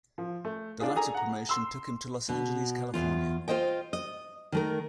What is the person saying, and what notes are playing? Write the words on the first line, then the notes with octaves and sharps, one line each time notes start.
The latter promotion took him to Los Angeles, California.
F3
A3
D4 D#4 F4 G#4
G#4 A4 G#5 A#5
F#5 A#5
C6 E6
B2
E2 F4
F4 A4 C5 D#5 G5
D#5
D#3 A3 A#4